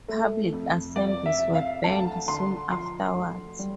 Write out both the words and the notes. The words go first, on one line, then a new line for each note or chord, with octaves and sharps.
Public assemblies were banned soon afterwards.
A3
F2
F2 D5
E5
C3
F5
D2 A5
D3 C6
F3 C6
D2
G3